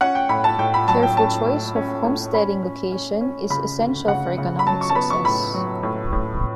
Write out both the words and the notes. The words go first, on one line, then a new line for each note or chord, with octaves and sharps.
Careful choice of homesteading location is essential for economic success.
C#4 F#5
G5
A2 B5
A5
A2 G5
B5
F#3 A5
G5
C#4 A5
A2
C#4
A2
C#4 B5
C#4
C#4
C#4
C#3 B5
D2
C#3 F#5
C#3
B5
F#3 A5
C#6
A5
B3 B5
C#6
A2 B5
F#3
A2
A2